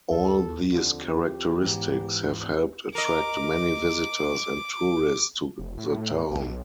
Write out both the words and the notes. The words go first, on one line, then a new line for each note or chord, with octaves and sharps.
All these characteristics have helped attract many visitors and tourists to the town.
D#2 A4
F2 D3
G4
E2 G#2 E3
E1
A#4 D#5 D6
F1
A2
B1